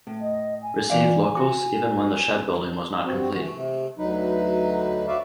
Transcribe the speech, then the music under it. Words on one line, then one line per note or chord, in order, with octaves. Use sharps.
Received locos even when the shed building was not complete.
A2
D#5
G#5
E3 D5 F5
F#4
G2 C4 F#4
E3 F#4
C3
D2 F#3 D#4 B4
F#4 B4 D5 E5 F5